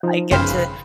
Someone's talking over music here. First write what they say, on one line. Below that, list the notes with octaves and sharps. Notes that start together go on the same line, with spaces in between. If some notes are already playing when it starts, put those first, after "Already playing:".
I get to
F3 D#4
G1 F#2 C#3 B4 C5 F5 G5